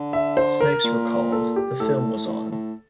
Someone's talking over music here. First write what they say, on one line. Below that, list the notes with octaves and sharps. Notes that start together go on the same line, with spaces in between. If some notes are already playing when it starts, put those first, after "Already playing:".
Snipes recalled, The film was on.
Already playing: D3
E5
C5
A#4
A#2
A4
G4
A2 A4
A2
A2